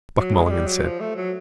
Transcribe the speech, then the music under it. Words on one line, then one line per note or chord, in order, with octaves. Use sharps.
Buck Mulligan said.
F#3
G#3
G#3
G3
F#3
F3
A3
F#3